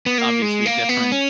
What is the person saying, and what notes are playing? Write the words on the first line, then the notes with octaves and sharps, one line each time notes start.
obviously different
B3
A#3
G#3
A#3
B3
C#4